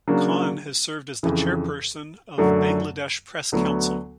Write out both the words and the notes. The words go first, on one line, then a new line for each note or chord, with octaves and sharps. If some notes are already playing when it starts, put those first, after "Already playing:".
Khan has served as the Chairperson of Bangladesh Press Council.
C#3 F#3 A#3 D4
F2 C#3 E3
F#2 D3 F#3 A3
D2 D3 F#3 B3